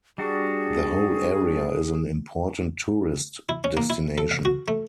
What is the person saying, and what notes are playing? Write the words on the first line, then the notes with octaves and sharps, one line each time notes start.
The whole area is an important tourist destination.
G3 D4 F#4 G#4
E4
C#4
A#3
E4
A4
F5
F#4
A3